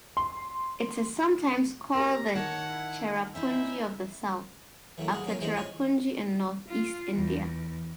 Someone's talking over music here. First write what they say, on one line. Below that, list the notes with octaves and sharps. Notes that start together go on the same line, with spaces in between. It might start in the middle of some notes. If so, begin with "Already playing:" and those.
It is sometimes called "The Cherrapunji of the South" after Cherrapunji, in Northeast India.
C6
G4 A#4 A#5
D#3 C#5 F#5 A5
E4
C#4 D#4 E4 C5 E5
E3 F#3 A3 A#3
G#4 F5 F#5
F#3 A#3 C#4 F4 F5
E3 G#3 C5 A#5 B5
F4 C#5 G#5 C6
F4
E2